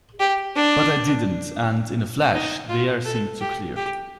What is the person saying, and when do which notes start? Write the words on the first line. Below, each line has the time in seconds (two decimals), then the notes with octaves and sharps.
But I didn’t, and, in a flash, the air seemed to clear.
0.20 G4
0.56 D4
2.34 D#4
2.69 F4
3.05 A4
3.41 G4
3.76 G4